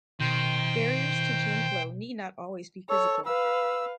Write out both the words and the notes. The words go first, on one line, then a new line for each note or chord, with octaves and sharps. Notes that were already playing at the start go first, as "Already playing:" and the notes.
Barriers to gene flow need not always be physical.
B2 D#3 C5 G5
A4 C#5
B4 F5 E6